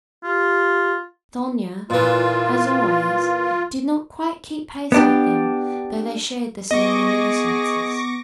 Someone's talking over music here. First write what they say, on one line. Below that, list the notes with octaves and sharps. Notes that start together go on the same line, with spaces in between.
Sonya, as always, did not quite keep pace with them, though they shared the same reminiscences.
F4 G4
A#2 E3 F4
B3 D4 G4
B3 G#4 D#5 C#6 D6 A#6